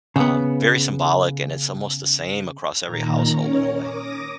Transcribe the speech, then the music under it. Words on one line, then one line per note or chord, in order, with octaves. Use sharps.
um, very symbolic, and it's almost the same across every household in a way.
C#3 B3
A#2 D#3 A#5
C#4 A#4 C#5
D6 D#6 A#6